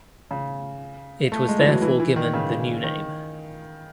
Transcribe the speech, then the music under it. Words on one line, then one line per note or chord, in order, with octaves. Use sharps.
It was therefore given the new name.
C#3
A3
G#3
E3
F#3
E3
E3
D#3
C#3
D#3